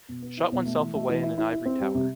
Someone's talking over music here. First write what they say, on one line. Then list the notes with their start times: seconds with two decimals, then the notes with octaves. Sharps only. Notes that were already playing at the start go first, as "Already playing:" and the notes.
Shut oneself away in an ivory tower.
0.09 B2
0.22 B3
0.37 E4
0.52 B2
0.66 A3
0.80 E3
0.94 A3
1.09 E3
1.23 E4
1.38 E4
1.52 E4
1.66 C4
1.80 G3
1.95 C3